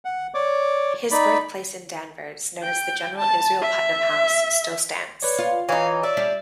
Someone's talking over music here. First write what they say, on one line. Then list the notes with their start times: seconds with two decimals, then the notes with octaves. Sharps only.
His birthplace in Danvers, known as the General Israel Putnam House, still stands.
0.05 F#5
0.34 C#5 D5 D6
1.11 D#4 D5 B5
2.63 G5
3.18 A5
3.62 E5
5.23 B4 C#5 D5
5.38 F4
5.69 E3 D#4 C#5 F5
6.03 D5 E5
6.17 G3 D4